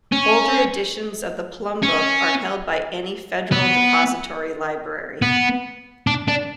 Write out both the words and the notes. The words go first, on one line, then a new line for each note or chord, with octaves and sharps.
Older editions of the Plum Book are held by any Federal depository library.
C#4
C#4
B3
B3
D4
D4